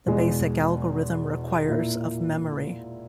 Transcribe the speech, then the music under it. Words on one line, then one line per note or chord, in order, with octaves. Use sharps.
The basic algorithm requires of memory.
E2 B2 G#3
A#2 A#3 E4